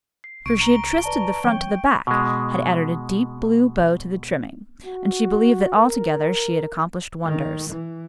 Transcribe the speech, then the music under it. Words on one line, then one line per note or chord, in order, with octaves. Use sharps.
For she had twisted the front to the back, had added a deep blue bow to the trimming, and she believed that altogether she had accomplished wonders.
C7
C2 C#6 D7
A#5 G7
B4 D5 A5 A#5
E3 F#3 C4 C#5 G5 G6
B2 G#3
F#4
A#4
D#3
E3